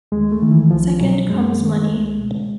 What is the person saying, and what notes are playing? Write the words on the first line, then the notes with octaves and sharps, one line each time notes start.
Second comes money.
D#2 G#3
A3
D#3
E3
C2 F3
B2 F#3
F#2 G#3
D#3
C#2 G#3
B2